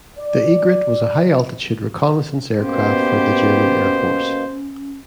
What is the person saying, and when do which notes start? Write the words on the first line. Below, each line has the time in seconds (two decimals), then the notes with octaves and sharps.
The Egrett was a high altitude reconnaissance aircraft for the German Air Force.
0.19 D5
2.61 B2 A#3 B3 C#4 G4 C5